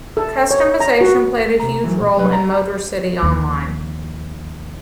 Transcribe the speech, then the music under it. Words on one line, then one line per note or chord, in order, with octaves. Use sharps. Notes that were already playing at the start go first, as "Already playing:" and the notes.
Customization played a huge role in Motor City Online.
A4
C#5
A#5
F#4
C3 A#5
E3 F#3
C2 A#2
C2 F#3 G3 B4
A#5
D#2 F3